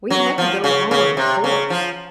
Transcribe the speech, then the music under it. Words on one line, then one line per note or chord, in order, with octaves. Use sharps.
We had to go on, of course.
F#3
F3
C#3
C#3
C3
C#3
F3